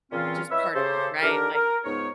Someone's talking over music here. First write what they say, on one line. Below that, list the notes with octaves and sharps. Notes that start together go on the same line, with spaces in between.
just part of you, right, like,
A#2 C#3 E3 C4 C#4 F4
E4 B4 C#5 D#5 E5
C#3 G4 A4 C5
D3 D#3 D4 G4 A#4
A#4
C#2 G#2 B3 D#4 C#5